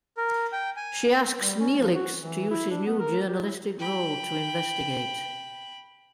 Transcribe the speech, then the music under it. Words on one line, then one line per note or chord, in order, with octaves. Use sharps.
She asks Neelix to use his new journalistic role to investigate.
A#4
G5
G#5
G3
C#4
F3
F#4
E3
E4
D4
B3
A#4
G4
E4
G5 B5